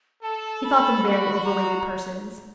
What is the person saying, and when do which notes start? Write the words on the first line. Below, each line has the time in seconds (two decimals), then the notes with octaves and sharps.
He thought them very over-rated persons.
0.23 A4 A5
0.64 B5
1.03 F#4
1.44 A#5